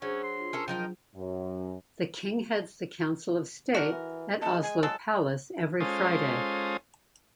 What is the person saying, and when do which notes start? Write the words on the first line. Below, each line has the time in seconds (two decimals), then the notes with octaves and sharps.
The King heads the Council of State at Oslo Palace every Friday.
0.02 F#3 C#4 D4 G#4 C5
0.23 C6
0.37 D4 F4
0.53 C#4 A4 A#4
0.68 F3 F#3 D#4 F4 A#4 G5
1.16 F#2
3.74 D4 F#4 A#4
3.92 E3
4.42 G#3 A5
4.62 G#5
4.83 F#3 G#3 A4 A5
5.80 G#3 C#4 F4 A4 C5 D#6